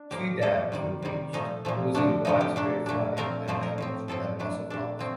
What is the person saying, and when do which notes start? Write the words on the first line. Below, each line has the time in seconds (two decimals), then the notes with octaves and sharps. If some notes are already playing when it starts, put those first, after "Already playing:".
Two dams were breached, causing widespread flooding and damage, and loss of life.
Already playing: D4
0.11 A2 F3 A#3 G4
0.41 A2 F3 A#3 A4
0.72 C3 D#3 G3
1.02 C3 D#3 G3
1.33 A#2 F3 A3 D#4
1.65 A#2 F3 A3
1.95 D3 F3 A3 D4
2.25 D3 F3 A3 D#4
2.41 G4
2.56 A#2 A3 D4
2.86 A#2 A3 D4
3.17 A#2 F3 A3 C4 A#4
3.48 A#2 F3 A3 C4 C5
3.63 A#4
3.78 A2 F3 C4
4.08 A2 F3 C4 A4
4.39 A#2 A3 D4
4.70 A#2 A3 D4
4.99 F3 A3 C4